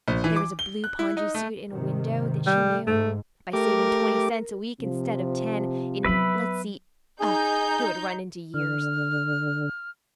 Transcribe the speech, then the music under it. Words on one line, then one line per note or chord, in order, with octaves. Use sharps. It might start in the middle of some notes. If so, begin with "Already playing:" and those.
There was a blue pongee suit in a window that she knew--by saving twenty cents a week instead of ten, in--let's see--Oh, it would run into years!
A#1
E3
D6
G7
F#6
E4
D#4
A3
G#2 C3 D#3
G3
G#2 A3
A3 G4 A#4 D6
C3 F3
F#3 B3 B4 E5 B5
D#4 G#4 G6
D3 F6